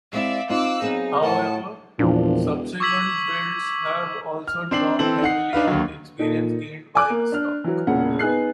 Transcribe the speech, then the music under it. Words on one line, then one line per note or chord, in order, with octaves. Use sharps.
However, subsequent builds have also drawn heavily on the experience gained by this stock.
G#3 C4 E4 D5 E5 F5
C4 D#4 F4 D6 E6 F#6
F#3 B3 C4 D#4 G#4
A2 A#4 F#5 A5
E1 E2 A#2 F3 D4
C#6 D6 E6 G#6 B6 F#7
F6
C4 D4 C7 F#7
E3 C4 A4 F#7
D#4 F#5 C7
D4 D#4 B4 F5
D#2 D3 F#3
A#2 D#4 A4
G#5 D6 F#6
A#3
D4 F6
E3 F#3
E1 A#2 C#3 F#5
B3 D#4 G#4 F#6 C7